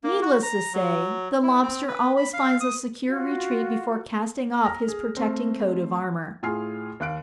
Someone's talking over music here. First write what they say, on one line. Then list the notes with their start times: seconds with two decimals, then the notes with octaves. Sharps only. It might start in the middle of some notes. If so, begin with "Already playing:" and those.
Needless to say, the Lobster always finds a secure retreat before casting off his protecting coat of armour.
0.04 A#3
0.22 F#4
0.43 A#5
0.74 F#3
1.43 E4
1.62 C4
1.88 B4
2.17 B5
2.33 F5
2.60 D#6
3.08 F4 F#4
4.65 A#5 F6 A#6
4.88 G#4
5.17 A3 C4
6.43 A2 F4 G#4 G#5 F6 C7
7.00 D#2 F5 F#6 D7